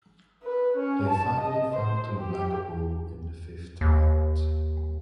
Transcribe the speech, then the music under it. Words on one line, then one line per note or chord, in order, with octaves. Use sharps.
They finally fell to Blackpool in the fifth round.
B4
C#4
A5
D#5
C5
G4
D#2